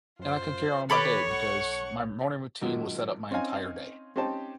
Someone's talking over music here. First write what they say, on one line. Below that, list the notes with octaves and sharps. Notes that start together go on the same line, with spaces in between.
and I can carry on my day because my morning routine will set up my entire day.
F#2 F4 C5
D#3 G4 A4 B4 C#5 B5 D6
B1 F#5 C#6
G#1 F#2 A#2 F#3 G#3
C4 C#4 D#4 D#5 F5 G#5
C4 C#4 D#4 G4 C5 A5